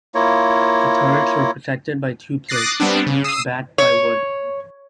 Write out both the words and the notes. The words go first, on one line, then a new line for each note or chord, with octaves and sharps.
The turrets were protected by two plates, each backed by wood.
A#3 E4 F4 C#5
D6 D#6 F#6 A6 A#6 C7
G3 B3 C4 D4
C#3
D#6 E6 C7 D#7
C#5